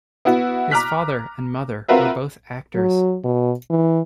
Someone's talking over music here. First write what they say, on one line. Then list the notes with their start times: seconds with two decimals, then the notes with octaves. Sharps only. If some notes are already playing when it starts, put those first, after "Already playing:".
His father and mother were both actors.
0.25 B3 E4 F#4
0.71 A#5 D6 F6 F#6 B6
1.88 C4 F4 F#4 A#4 B4 E5
2.75 F#3
3.24 B2
3.70 E3